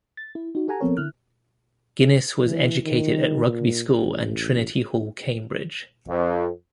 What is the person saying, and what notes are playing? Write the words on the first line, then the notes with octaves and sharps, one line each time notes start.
Guinness was educated at Rugby School and Trinity Hall, Cambridge.
A6
E4
D#4 F#4
G4 A4 F#5 G#5 A#5
F3 B3 C4 A4 A#4 C#5
D3 E4 F6 F#6
E3
D#3
A#2
A1
F2